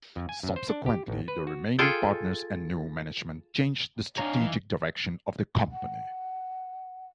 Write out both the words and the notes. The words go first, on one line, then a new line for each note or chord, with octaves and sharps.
Subsequently, the remaining partners and new management changed the strategic direction of the company.
F2
G#5
F#2
C5
D4
G4
A1
B4
F#4
F4 G#4 A4 G5
D4 D#4 C#5 F5 A#5
E3
F#5